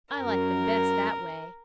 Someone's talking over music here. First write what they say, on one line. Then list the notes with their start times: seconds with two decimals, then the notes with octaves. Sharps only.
I like them best that way.
0.16 F#2 A#4